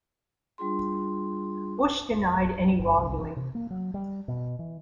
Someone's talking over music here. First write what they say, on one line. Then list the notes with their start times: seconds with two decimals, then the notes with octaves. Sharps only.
Bush denied any wrongdoing.
0.58 G3 D4 F4 G#4 C6
2.79 G1
2.97 C2
3.18 E3
3.37 C3
3.55 A#3
3.70 F#3
3.94 G3
4.28 B2
4.59 E3